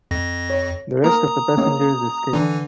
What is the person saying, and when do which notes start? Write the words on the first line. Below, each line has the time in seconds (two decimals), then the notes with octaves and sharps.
The rest of the passengers escaped.
0.11 F2 A#6
0.50 C#5
1.04 A#3 A#4 A#5 D#6
1.57 A#3 C#4 D#5
2.33 D3 E3 D4